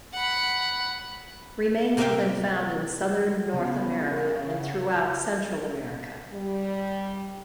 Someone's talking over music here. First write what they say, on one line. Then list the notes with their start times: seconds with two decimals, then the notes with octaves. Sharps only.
Remains have been found in southern North America and throughout Central America.
0.13 F#5 B5
1.97 C3 A#3 A#4 E5 F5 G5
3.53 C#3 B3
4.09 A#4
4.35 F5
4.58 F#5
6.33 G3